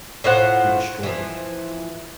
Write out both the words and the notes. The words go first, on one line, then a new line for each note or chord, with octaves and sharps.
To destroy.
A2 F4 C5 F#5
E3 F3